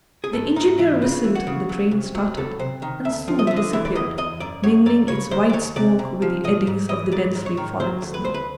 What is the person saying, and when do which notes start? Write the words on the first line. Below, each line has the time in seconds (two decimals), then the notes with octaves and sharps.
The engineer whistled, the train started, and soon disappeared, mingling its white smoke with the eddies of the densely falling snow.
0.24 G#4
0.33 G#2 A4
0.56 G#2 D#4
0.78 E3 E4
1.02 C#3 F4
1.24 E3
1.35 F#4
1.47 C#3
1.69 F#3
1.91 C2
2.15 F#3
2.37 C#2 A4
2.59 C3 C5
2.82 D#3
3.05 D2 E5
3.28 F3
3.39 D#5
3.47 D3 E5
3.56 D#5
3.73 E3 E5
3.85 D5
3.95 E2 D#5
4.18 E2 D#5
4.40 F#2 D5
4.63 F#2 C#5
4.86 F#2 D5
5.08 C#3 C#5
5.31 D#2 C5
5.50 D5
5.53 D#2 C#5
5.76 C3 D5
5.99 C3
6.22 F3
6.44 G#2 D#5
6.67 G#2
6.89 E3 D#5
7.12 G#2 D5
7.35 G#2
7.46 C#5
7.57 D#3
7.80 F#3 C5
8.02 D2
8.14 B4
8.25 D2 C5
8.34 B4